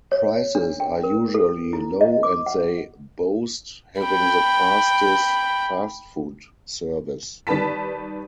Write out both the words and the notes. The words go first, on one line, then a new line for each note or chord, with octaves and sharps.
Prices are usually low and they boast having the fastest fast-food service.
C#5
D4
G5
A#4
A4
E4
D#5
D6
F#5
G5 B5
D#3 G3 B4 A5 B6